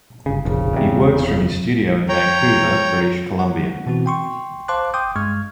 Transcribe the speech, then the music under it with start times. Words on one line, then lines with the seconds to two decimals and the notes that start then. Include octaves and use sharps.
He works from his studio in Vancouver, British Columbia.
0.26 G1 C#3
0.45 F1 A#1 C#3
0.73 E2 C3
2.09 C#5 G5 A#5
3.39 F#5
3.86 B2 E3 C4 F#4
4.06 G5 C6 C#6
4.68 C5 F5 A5 C6 D6 F#6
4.94 G5 C6 D6 D#6 G6
5.16 G2 G#3 C#6 F6 G#6